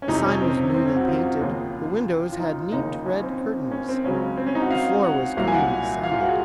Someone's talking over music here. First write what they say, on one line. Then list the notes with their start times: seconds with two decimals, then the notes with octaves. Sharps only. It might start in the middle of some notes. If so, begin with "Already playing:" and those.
The sign was newly painted; the windows had neat red curtains; the floor was cleanly sanded.
0.02 C#4
0.08 F2 C3 F3 D#4
0.25 C#4
0.42 C4
0.74 C4
0.86 C#4
0.96 F#4
1.08 F4
1.41 D#2 C#3 F3
2.32 F4
2.39 D#4
2.72 D#2 C#3 F3 D#4
3.06 C#4
3.23 C4
3.71 C#4
3.88 C4
4.04 C#2 C#3 F#3 C#4
4.37 C4
4.47 C#4
4.55 D#4
4.62 F#4
4.71 F5
5.04 F#5
5.37 C2 A#2 F#3 F5
5.48 G#5
5.54 F#5
6.03 F5
6.12 F4
6.21 F#4
6.29 G#4